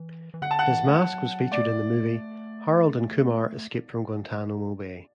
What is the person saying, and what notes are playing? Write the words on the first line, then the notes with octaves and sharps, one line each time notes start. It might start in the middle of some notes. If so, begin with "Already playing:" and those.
His mask was featured in the movie "Harold and Kumar Escape From Guantanamo Bay".
Already playing: E3
E3
D3 F#5
A5
F#5
E3
A3
F#3
A3 D5